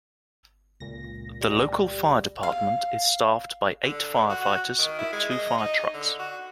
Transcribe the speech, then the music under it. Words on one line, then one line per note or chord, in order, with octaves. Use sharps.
The local Fire Department is staffed by eight fire fighters with two fire trucks.
C#2 A#2 A#6
G3
F5
D3
F#4
D#3
E4
G#3
D#5
D#4
D3
F#4